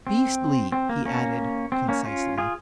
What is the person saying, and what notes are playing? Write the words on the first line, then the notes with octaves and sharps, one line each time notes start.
"Beastly!" he added concisely.
C4
C4
A#3
A#3 C#4
C4
A#3 C#4
C#4 F4
F4 G#4